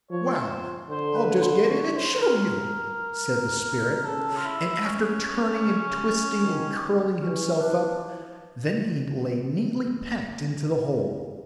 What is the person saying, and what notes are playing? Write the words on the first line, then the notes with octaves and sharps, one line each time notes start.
'Well, I'll just get in and show you,' said the spirit, and after turning and twisting, and curling himself up, then he lay neatly packed into the hole.
F3 C#5
C5
D3 C5
B4
C5
C#5
C5
A#4
C#3 A4
F4
E4
C#4
C#3
D#3
E3 C#4
D4